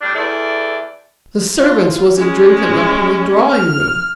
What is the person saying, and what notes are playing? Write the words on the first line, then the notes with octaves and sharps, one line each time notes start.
The servants was a drinkin' up in the drawingroom.
A2 G3 D4
E2 E4 A4 D5
F4
G#3 C#4
F6